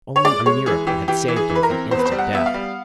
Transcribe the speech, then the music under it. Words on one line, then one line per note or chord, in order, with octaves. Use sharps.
Only a miracle had saved him from instant death.
C#5
G#3 D5
G#3 C#5
E3 G#4
E3 G4
E3 G4
E3
G#4
E3
B4
A#4
C4
E2 C5
B4
C5
G3
F#5
B3 E5
F5
G3